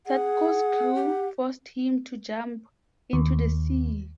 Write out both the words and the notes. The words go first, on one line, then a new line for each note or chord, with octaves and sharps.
Sadko's crew forced him to jump into the sea.
G#4 F#5
G4
D#2